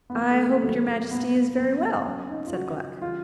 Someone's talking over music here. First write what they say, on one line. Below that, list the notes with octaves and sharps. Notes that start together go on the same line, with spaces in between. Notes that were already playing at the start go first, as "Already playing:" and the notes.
"I hope your Majesty is very well," said Gluck.
B3
C#3 F3 A#3
A3
A#3
C3 D#3 F#3 A3
A#3
A#2 G3 B3
B3
C#3 F#3 A#3
C4
C4
C#3 F#3 C#4
D#4
F4
C#3 F#3 F#4
C#3 E3 G3 F4